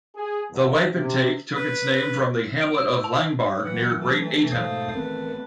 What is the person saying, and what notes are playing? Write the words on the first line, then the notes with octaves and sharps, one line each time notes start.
The wapentake took its name from the hamlet of Langbaurgh, near Great Ayton.
G#4
E2
C3
B4
D7
E6
A5
E3 F#3 B4 F#5
A3 A5
G#2 B2 C5 F5 D#6
A1 D#3 B3 C4 B4